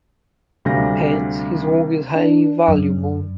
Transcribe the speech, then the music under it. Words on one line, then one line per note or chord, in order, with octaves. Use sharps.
Hence, his work is highly valuable.
D2 C3 G3 F5 A#6
D4
F#2